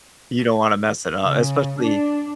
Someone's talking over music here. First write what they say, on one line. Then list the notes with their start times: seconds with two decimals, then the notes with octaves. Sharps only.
You don't wanna mess it up, especially
1.23 C#3
1.80 D4